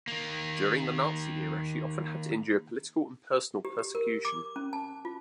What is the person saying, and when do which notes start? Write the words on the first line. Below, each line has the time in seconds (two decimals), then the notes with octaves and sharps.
During the Nazi era she often had to endure political and personal persecution.
0.08 D#3 A#3
3.65 G4
3.79 G4
3.95 A#4
4.25 D6
4.56 C#4
4.73 A5
5.05 F4